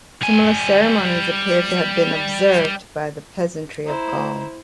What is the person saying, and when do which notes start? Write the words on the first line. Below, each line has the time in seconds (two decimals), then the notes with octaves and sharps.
Similar ceremonies appear to have been observed by the peasantry of Gaul.
0.22 G3 G#5
3.86 E4 C5 A#5